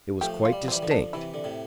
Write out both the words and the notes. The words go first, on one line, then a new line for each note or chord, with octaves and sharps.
It was quite distinct.
F3 A3 G4
F4
G3
F3
C4
E3 G3
D3 F3
D4
C3 E3 E4
D3
A2 C3